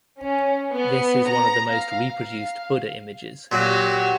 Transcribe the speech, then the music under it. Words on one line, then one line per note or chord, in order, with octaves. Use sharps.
This is one of the most reproduced Buddha images.
C#4
B3
A#5
F5
F5
A#2 F#3 F#4 G4